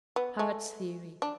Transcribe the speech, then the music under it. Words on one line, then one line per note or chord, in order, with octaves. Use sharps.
Hart's Theory.
B3
A3
D4